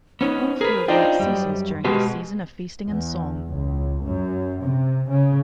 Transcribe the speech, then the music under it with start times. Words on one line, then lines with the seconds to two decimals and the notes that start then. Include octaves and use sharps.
All field work ceases during this season of feasting and song.
0.21 B3 C#4 D#4 C5
0.61 G#4 A#4 B4
0.88 D4 D#4 F4 D5 D#5 G5
1.19 F#2 G3
1.85 B2 G#3 G4 B4 C5
2.87 E2
3.46 C#2
4.05 F#2
4.61 C3
5.09 C#3